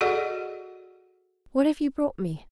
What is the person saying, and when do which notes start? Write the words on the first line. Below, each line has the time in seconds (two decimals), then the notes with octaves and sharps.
What have you brought me?'
0.01 F#4 G#4 A4 D5 D#5 F#5